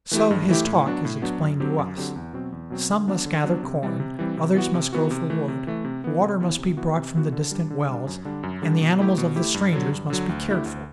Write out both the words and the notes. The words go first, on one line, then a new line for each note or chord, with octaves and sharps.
So his talk is explained to us. Some must gather corn, others must go for wood, water must be brought from the distant wells, and the animals of the strangers must be cared for.
E3 A3 E4 G4
G2
E3 A3 E4 G4
A2
F#3 B3 D4 F#4
A2
F#3 B3 D4 F#4
F#2
D3 F#3 C4 G4
F#2
D3 F#3 C4 G4
E2
B2 F#3 C4
E2
B2 F#3 C4
D3
F#3 B3 D4
D3
F#3 B3 D4
C3
E3 G3 C4
C3
E3 G3 C4
C3
E3 B3 F#4
C3
E3 B3 F#4
C3
E3 A3
C3
E3 A3
C3
E3 B3
C3
E3 B3
C3
E3 B3 F#4
C3
E3 B3 F#4
D3
G3 D4
D3
G3 D4
F#2
D3 G3 D4
F#2
D3 G3 D4
B2
A3 E4 G4
B2
A3 E4 G4
G2
D3 F#3
G2
D3 F#3
D2
D3 A3 E4 G4
D2